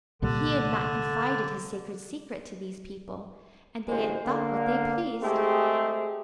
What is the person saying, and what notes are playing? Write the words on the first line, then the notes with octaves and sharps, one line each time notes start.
He had not confided his sacred secret to these people, and they had thought what they pleased.
C2 A#2 D3 G3
A1 D2 G#3 C5
D3 A#3
G#3 A3 C4 G4 G#4